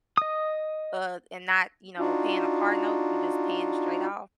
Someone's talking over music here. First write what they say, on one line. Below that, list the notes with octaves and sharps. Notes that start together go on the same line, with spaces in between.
o uh, and not you know, paying a car note and just paying it straight off
D#5 D#6
D4 D#4 F4 F#4